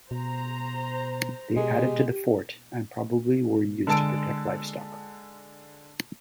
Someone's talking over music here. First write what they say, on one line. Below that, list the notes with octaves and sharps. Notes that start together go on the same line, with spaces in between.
They added to the fort and probably were used to protect livestock.
B2 C5 A#5
B2 G#3 G4
D3 G#3 A5 E6 D7